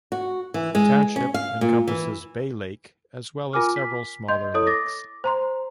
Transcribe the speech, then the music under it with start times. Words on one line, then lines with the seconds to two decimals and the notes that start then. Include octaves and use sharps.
The township encompasses Bay Lake as well as several smaller lakes.
0.12 F#4
0.54 E3
0.75 G#3
1.16 C#4
1.34 F5
1.61 A#2
1.87 E3
3.53 F4 A#4 G#5 D6 F6
3.76 B6
4.28 D#5 C6 G6
4.54 E4 A4 C#5 D#6
4.67 D6 A6 A#6
5.24 C5 A#5 C6